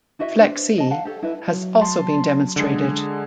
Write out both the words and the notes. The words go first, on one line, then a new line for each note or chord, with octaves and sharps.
FlexE has also been demonstrated.
E4 F#4 D#5 E5
D4 B4 C5
D#5 A5
F5 F#5 A5
G4 A4 C#5
E4 B4 D#5
F#3
A5 C6
D3 G#3 G#4